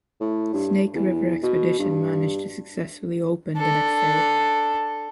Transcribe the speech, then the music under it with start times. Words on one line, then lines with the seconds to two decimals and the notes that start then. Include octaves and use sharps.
Snake River Expedition managed to successfully open the next day.
0.20 A2
0.54 G2
0.95 E2
1.43 B2
1.79 G2
3.57 D4 A4